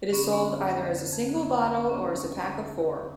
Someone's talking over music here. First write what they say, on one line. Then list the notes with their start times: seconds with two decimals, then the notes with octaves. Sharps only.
It is sold either as a single bottle or as a pack of four.
0.09 D3 B3 C#4
0.24 D3 D4
0.33 B3 C#4
0.38 D3
0.53 F2
0.69 F2
0.84 D3
0.99 D3
1.13 F2
1.29 D3
1.43 D3
1.59 D3
1.73 D#2 B3 C#4
1.89 D3 C#4
1.94 C4 D4
2.03 D#2
2.13 C#4 D#4
2.19 D#2
2.34 D#2
2.48 D3
2.64 D3
2.78 D#2